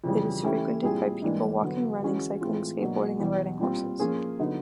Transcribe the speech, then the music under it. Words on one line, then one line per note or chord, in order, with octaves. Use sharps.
It is frequented by people walking, running, cycling, skateboarding and riding horses.
F2 C#3 E3 G3
E3 A3 C#4 E4 G4
A#2 G3 C4 E4 G#4
G#2 E3 G3 A#3 D4
D3 F#3 B3
E3 G#3 C#4 F#4
A2 E3 G#3 C4 F4
B2 F#3 A#3 D4
E2 B2 G3
A#2 G3 C4 F4
F3 A#3 C#4 F4 G#4
D3 F#3 B3 D#4